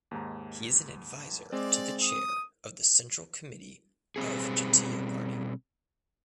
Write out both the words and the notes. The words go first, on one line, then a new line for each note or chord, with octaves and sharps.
He is an Advisor to the chair of the Central Committee of Jatiya Party.
D#2 G#2 A#5
G#3 C4 D5
D#6
B2 G3 C4 G#4